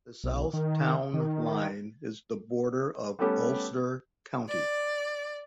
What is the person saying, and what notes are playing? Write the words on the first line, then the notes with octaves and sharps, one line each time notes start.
The south town line is the border of Ulster County.
B1
D#3
D#3
G3 A3 B3 C#4 G4 A4
D5